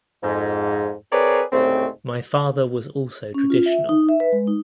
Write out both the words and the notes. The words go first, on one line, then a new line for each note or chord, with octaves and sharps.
My father was also traditional.
F2 G#2
C4 G#4 A#4 B4 C#5 D5
C2 G#2 C#3 A3 C4
C#4
F4
E5
D#4
E5
B4
G#3
D#4